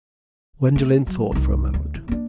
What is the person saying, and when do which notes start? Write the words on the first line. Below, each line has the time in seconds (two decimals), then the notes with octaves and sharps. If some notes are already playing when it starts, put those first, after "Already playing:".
Gwendolen thought for a moment.
0.76 A3
1.07 F#3
1.32 C2 D#3
1.74 D2
1.95 E3
2.08 A#3 D4